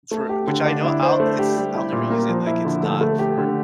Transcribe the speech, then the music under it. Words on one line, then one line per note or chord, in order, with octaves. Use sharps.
for which I know I'll it's I'll never use it. Like, it's not for
A3
G4
D3
D4
E4
C5
A3
G4
G3
E4
A#2
A#3
F3
E4
D3
A3
A3
G4
D3